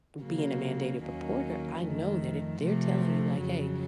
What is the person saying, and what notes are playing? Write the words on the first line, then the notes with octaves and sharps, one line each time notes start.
b being a mandated reporter, I know that if they're telling you, like, "Hey,
C#3 F#3 A#3
D#2 D#3 F#3 A#3 C#4
F2 D#3 A3
C3 F3 A3
F2 C#3 F#3